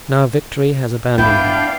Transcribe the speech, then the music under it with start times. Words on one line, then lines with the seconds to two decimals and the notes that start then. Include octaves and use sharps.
Now victory has abandoned him.
1.18 B3 D4 E4 F4 F5 G5